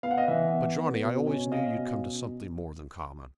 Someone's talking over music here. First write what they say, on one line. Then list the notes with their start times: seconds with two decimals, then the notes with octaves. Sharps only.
But, Johnny, I always knew you'd come to something more than common.
0.03 B3 F5
0.11 F#5
0.17 D#5 F5
0.28 E3 E5 F#5
0.53 B3
0.78 B3
1.03 B2
1.27 C#4
1.52 C#4 D#5 F5
1.77 B2